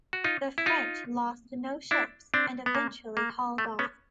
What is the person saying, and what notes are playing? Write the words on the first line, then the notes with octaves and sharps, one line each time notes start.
The French lost no ships and eventually hauled off.
F#4
D#4 F4
E4
D#4 F4
D4 E4
C4 D4
B3
A#3
A#3
A3
B3 C#4